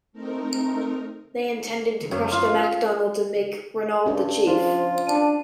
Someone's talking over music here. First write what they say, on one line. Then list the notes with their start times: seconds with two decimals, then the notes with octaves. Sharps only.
They intended to crush the MacDonalds and make Ranald the chief.
0.13 A3 C4 D#4 A#4
2.11 F#2
2.31 F4
4.06 G2 C#4 D4
4.47 F3 C#4 F4 C5
5.07 D4 A5 D#7